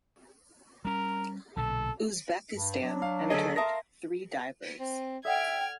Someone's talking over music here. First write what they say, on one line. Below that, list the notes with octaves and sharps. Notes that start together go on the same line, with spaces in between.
Uzbekistan entered three divers.
G3 C#4 A#4
B1 A#2 D3 A4
G2
F#3 D4
F5
D2 G#4 A4 C#5 D#5
A#4 E5 F5 A5 A#5 C6 D#6 A#6
C4
A4 D5 E5 F#5 G5 F6 G#6